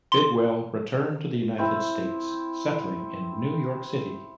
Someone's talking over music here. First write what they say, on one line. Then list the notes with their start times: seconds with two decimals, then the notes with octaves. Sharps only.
Bidwell returned to the United States, settling in New York City.
0.12 C6
1.58 C4 E4